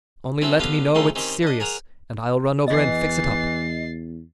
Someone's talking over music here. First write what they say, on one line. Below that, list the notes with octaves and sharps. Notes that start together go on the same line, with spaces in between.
Only let me know it's serious, and I'll run over and fix it up.
C4 C#4 E4 F#4 A4
D3 B3 G4 F5
D2 C#3 F3 A3 D#4 C6
D#3 C4 C#4 G4
D4 D#5
G#4 A#4 C#5 F#5
E2 E3 D#5 A6 C7